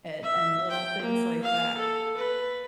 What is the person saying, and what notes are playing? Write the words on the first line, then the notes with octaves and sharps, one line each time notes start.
and and little things like that,
E5
G5
A#3
F5
A4
B4